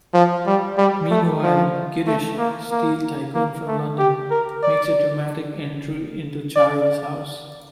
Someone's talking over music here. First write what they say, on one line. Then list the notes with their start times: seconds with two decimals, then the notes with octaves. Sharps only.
Meanwhile, Girish, a steel tycoon from London, makes a dramatic entry into Charu's house.
0.14 F3
0.46 G3
0.78 G3
1.11 A3
1.43 F3
2.07 A3
2.38 A#3
2.71 A#3
3.35 A#3
3.67 A3
3.99 G4
4.30 A#4
4.63 D5
6.56 D5